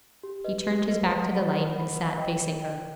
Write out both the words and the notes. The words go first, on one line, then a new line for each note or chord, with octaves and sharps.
He turned his back to the light, and sat facing her.
G4
B4 D#5
G4
B4 D#5
C5
F#5 B5
C5
F#5 B5
B4
D#5 G5
B4
D#5 G5